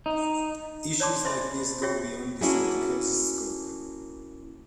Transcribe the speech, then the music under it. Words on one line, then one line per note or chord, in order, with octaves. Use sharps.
Issues like these go beyond this articles scope.
D#4
C#5 D5 A5 C6 D6
C5 D#5 E5 G#5 B5 C6
F4 F#4 G#4 C#5 E5 G5
A#3 C#4 D4 E4 F#4 G#4